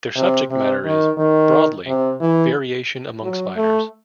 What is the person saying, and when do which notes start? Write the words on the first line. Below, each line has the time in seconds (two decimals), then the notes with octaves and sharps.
Their subject matter is, broadly, variation among spiders.
0.16 C3
0.50 C3
0.84 D#3
1.18 D#3
1.87 C3
2.20 E3
3.23 F#3
3.57 A3